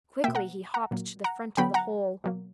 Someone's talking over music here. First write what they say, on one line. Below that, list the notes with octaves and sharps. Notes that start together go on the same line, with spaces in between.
Quickly he hopped to the front of the hole.
B2 A#3 E5 G5
F#5 A#5
F#5 A#5
A#2 F#3 A#3
F#5 A#5
D3 F#3 B3 G5 B5
F#5 A#5
B2 F#3 A#3